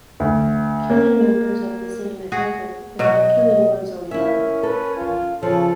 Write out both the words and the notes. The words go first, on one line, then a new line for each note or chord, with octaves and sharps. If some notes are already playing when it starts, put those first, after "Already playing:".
Killing members of the same Ateker is like killing one's own brother.
D2
A#3
F#4 G#4
B2 F#3 F#4 D#5
C#4 E4 A#4 E5
A4 B4
F4
C#3 F3 A4 C#5